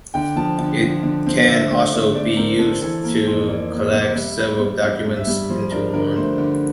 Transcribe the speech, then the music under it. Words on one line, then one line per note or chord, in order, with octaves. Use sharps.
It can also be used to collect several documents into one.
D3 G5
F3 A5
D3
F3
D3
C4
D3 E5
A3
D3
A3 D5
C4 A#4
C4 A4
E3 A4
A#3 A#4
F2 C5
A#3 D5
A#3
C3
G3 E5
G3
G3
G2 F5
G2
E5
G3
F3 C5
D4 A#4
D3 A#4
A3 C5
D3